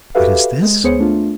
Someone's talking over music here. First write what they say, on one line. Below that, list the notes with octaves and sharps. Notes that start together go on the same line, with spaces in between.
What is this?
F#4 G4 A4 B4 E5 F5
G#3
D2 B3 G#4 C5 C#5 C#7
A3 D4 F4